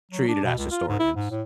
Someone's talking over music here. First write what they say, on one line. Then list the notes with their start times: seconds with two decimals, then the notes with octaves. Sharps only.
treated as historians.
0.11 F#3
0.28 D4
0.44 B2
0.58 C#2
0.71 F4
0.88 G#2
0.99 E4
1.16 G#2
1.31 A2